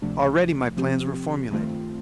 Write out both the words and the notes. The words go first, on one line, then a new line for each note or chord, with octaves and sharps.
Already my plans were formulated.
D2 C3 F3 A3 D4
C3 F3 C4 G4
G2 D#3 A3 C4 F4